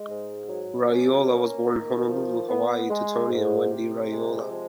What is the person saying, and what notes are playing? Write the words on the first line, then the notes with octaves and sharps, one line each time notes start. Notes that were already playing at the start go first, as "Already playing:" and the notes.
Raiola was born in Honolulu, Hawaii, to Tony and Wendy Raiola.
Already playing: G#3
G#2
F#3
C#4
A#3
D#3
F3
B3
G#3
G#2
C3
G#3
F3